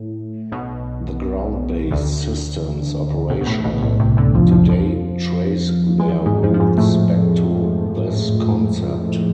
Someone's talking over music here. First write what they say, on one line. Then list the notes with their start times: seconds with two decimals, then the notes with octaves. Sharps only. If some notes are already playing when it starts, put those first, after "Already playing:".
The ground-based systems operational today trace their roots back to this concept.
Already playing: A2
0.52 B1 B2
1.91 D2 D3
3.30 B1 B2
3.41 B2
3.47 A2
3.64 B1 B2
3.82 A2
4.00 C2 C3
4.17 D2 D3
4.35 F2 F3
4.51 F2 F3
4.69 F2 F3
5.99 G#3
6.08 F2 F3
6.26 G#2 G#3
6.43 F2 F3
6.54 F3
6.60 G#2 G#3
6.78 A2 A3